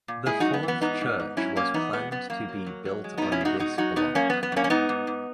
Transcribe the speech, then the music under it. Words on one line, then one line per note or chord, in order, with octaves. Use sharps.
The fourth church was planned to be built on this block.
A#2
G#3 E4 G#4
F#2 D#4 F#4
B3
E3
B3
G#2 B3 D#4
G#2
G#2
F#3 C#4 E4
B2 A#3 C#4
E2 B3 D#4
G#3 B3
F#2 B3
F#2 A#3
F#3
F#3
F#3
G#3
B2 B3 D#4
C#4 E4
G#3 D#4 F#4
B2 D#4 F#4
F#3 D#4 F#4
B2 B3 D#4
F#2 A#3 C#4
F#2 B3
B3
F#2 A#3 C#4
C#4
G#2 B3 D#4
G#2
G#2